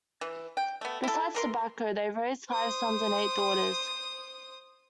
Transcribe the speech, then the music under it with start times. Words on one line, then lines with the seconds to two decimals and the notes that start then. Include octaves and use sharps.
Besides tobacco, they raised five sons and eight daughters.
0.21 E3
0.57 G5
0.81 A3 B3
1.04 E4 A4
1.35 E3 A#4 C6
2.49 C5 D#6